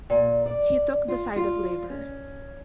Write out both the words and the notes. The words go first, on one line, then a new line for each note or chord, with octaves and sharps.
He took the side of labor.
A#2
D5
F4
F4
C#4